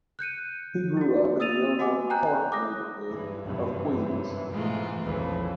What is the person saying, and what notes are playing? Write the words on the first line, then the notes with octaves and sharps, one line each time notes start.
He grew up in the Ozone Park neighborhood of Queens.
F#6 G6 C#7 D#7
E4 F#4
D#6 E6 A6 D#7 F7
F#4 D#5 F#5 G#5 D6
G5 G#5 A#5 F#6 G6
D6 D#6 F#6 A#6
G2 E3
F#2 C3 E3
G#2 B2 E3 G#3 A3 F4
B1 F2 C#3 E3